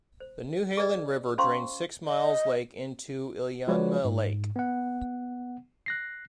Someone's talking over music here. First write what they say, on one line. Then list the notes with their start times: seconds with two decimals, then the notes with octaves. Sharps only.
The Newhalen River drains Six Mile Lake into Iliamna Lake.
0.20 C5
0.77 G#4 B4 D5 D#5
1.38 C#4 F4 C5 F5 C6 C#6
2.05 D#5
3.68 F3 G#3 F#4 B4 C#5 D5
4.05 G#2
4.56 B3 F#5
5.86 F#6 A#6 C7